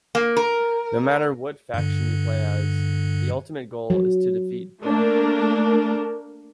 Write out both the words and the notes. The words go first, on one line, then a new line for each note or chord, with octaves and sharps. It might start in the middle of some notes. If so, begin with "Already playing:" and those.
No matter what faction you play as, the ultimate goal is to defeat Death.
A#3
A#4
G2 D3
F#3
A3 A#3 D4 A#4